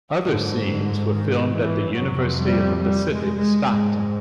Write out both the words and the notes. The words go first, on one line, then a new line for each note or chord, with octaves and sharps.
Other scenes were filmed at the University of the Pacific, Stockton.
G#2 D3
D3
D#3
E3
F2 C3 F#3
G3
G3
G#3
G#3
G#2 G#3